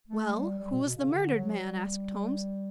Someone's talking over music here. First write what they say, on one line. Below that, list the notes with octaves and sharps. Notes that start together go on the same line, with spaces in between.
"Well, who was the murdered man?" asked Holmes.
A3
G3
G3
B2
B2
C#3
D3
F#3
G3